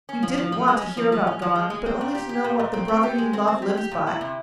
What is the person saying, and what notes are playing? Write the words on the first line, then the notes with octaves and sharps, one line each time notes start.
You didn't want to hear about God, but only to know what the brother you love lives by.
C#4
F3
F3
F3
G#3
C#4
F3
F3
C#4
F3
G#3
G#3
C4
A#2
G4
G4
A#2
A#2
C4
C4
G4
G#3
C4
C4
G4
G4
A#2
E4
C3